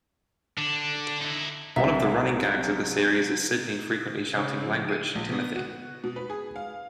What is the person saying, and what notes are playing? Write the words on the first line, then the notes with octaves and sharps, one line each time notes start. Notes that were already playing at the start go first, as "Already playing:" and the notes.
One of the running gags of the series is Sidney frequently shouting Language, Timothy!
D3 D4
D#4 E4
C2 F#3 E5 A#5
C#3
F3
D#7
A#1
B3
F#4
B2
B4
G#4
F5